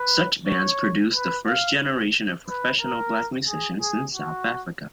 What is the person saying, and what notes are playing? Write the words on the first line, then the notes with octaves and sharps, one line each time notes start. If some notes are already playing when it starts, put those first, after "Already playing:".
Such bands produced the first generation of professional black musicians in South Africa.
Already playing: B4
C#5
B4
F5
B4
A#4
G#4
G#4
F#4